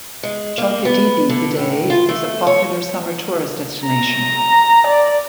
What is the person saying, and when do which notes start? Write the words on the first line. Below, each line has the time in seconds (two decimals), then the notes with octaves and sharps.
Chalkidiki today is a popular summer tourist destination.
0.23 G#3
0.58 A#3
0.85 B3
1.29 D3
1.57 A2
1.90 F4
2.09 A3
2.47 C#5
3.86 A#5
4.87 D5